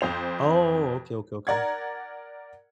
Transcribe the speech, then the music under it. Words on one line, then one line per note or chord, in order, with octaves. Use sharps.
Oh, okay, okay, okay.
F2 C5 F7
A#4 D5 F#5 G#6